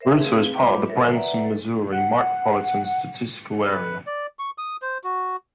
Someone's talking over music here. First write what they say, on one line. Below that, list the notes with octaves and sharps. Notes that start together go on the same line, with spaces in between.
Rueter is part of the Branson, Missouri Micropolitan Statistical Area.
A#4 C5 E5
A3 C4 G#4 B4 F5
G3 A3 F4 B4 B5 D6
A4 A#4 C#5 E5
B4 D5 E5 F#5 A#5
A4
F#5
B4
D5
C#6
D#6
C5
F#4